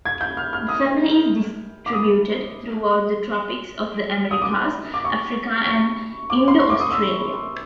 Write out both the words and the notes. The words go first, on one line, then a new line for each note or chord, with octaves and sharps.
The family is distributed throughout the tropics of the Americas, Africa and Indo-Australia.
G#6
G6
F6
F6
D#6
D6
D#6
D#6
D6
D6
C#6
C#6
D6
C6
C#6
D6
D#6
E6